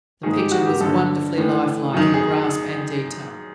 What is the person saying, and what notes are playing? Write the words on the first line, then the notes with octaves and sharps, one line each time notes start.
The picture was wonderfully life-like in grasp and detail.
G#2 D#3 G#4
G4
F#4
G4
G2 D3 A4
A2 E3
F#2 D#3
G#4